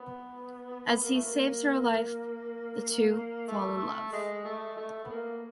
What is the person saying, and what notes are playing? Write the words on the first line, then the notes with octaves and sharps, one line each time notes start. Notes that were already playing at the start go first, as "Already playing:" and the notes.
As he saves her life, the two fall in love.
Already playing: B3
B3
A#3
A3
A#3
A3
G#3
A3
A3
B3
A#3